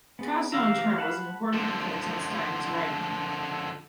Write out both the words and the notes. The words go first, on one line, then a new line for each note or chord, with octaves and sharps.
Picasso in turn was an important influence on Stein's writing.
B3 G#4
E3 G4 E5 F5 A#5
F#5 A5 B5
D3 F3